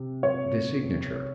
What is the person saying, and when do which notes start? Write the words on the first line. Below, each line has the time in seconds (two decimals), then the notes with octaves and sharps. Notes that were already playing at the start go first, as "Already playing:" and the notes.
The Signature.
Already playing: C3
0.23 C#5